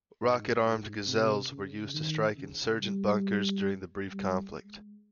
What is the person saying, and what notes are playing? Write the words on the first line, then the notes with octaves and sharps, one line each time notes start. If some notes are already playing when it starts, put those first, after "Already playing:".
Rocket-armed Gazelles were used to strike insurgent bunkers during the brief conflict.
G#2
G#2
C3
C#3
D#3
C#3
G3
G3
G#3